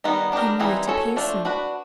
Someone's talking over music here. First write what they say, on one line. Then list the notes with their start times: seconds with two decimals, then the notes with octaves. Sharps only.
"Henrietta Pierson."
0.04 D#3 G3 B3 D#4
0.32 B3 D4 G4 A#4
0.60 E3 G3 C4 D#4 G#4
0.87 C#4 F#4 A4 C#5
1.16 F3 A3 D4
1.45 D4 F#4 B4